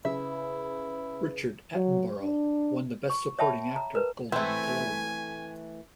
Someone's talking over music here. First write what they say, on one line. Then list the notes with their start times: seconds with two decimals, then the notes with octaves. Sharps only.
Richard Attenborough won the best supporting actor Golden Globe.
0.05 C#3 E4 B4 E5
1.75 F#3
2.22 D4
3.10 C#6
3.39 C#5 E5 G5 A5 B5
3.76 A#5
3.95 A#4 B4
4.32 E3 A3 C4 E4 G#5